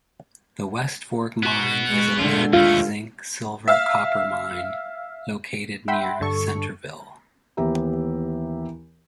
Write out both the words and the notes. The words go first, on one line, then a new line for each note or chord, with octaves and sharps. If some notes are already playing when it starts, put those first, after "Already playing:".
The West Fork Mine is a lead-zinc-silver-copper mine located near Centerville.
B3 F#4
G#3
D3 G#3 A3 F4
D#2 A3 F4
E5 F5
E5 F#5 G5 B5 C6
G2 D3 A4 C#6
D#2 E3 B3 G4 E5 A#5